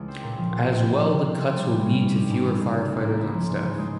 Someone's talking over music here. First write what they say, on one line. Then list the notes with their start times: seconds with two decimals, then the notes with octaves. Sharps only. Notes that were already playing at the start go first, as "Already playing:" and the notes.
As well the cuts will lead to fewer firefighters on staff.
Already playing: C#2 E3 G#3
0.08 C4
0.23 A#2
0.37 F3
0.52 A#2
0.67 C4
0.82 E4
0.97 F3
1.12 C3
1.26 C4
1.41 F4
1.57 G3
1.71 E3
1.85 C#4
2.01 G#2
2.15 G3
2.30 G#2
2.45 E3
2.60 G#3
2.75 C#3
2.90 C#2
3.04 A#3
3.19 E4
3.34 F3
3.49 G#2
3.63 E3
3.78 G#3